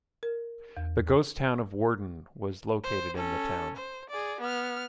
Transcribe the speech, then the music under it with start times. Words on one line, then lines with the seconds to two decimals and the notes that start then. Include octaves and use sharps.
The ghost town of Worden was located in the town.
0.23 A#4
0.77 E2
2.84 C5
3.15 C#4 A4
3.77 C5
4.10 G#4 D5
4.41 B3 F6